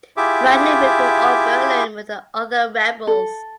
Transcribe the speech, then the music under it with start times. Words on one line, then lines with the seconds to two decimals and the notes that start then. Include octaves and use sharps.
Bradley moved to Oberlin with the other Rebels.
0.17 E4 F4 G4 G#4 E5 D6
3.07 A4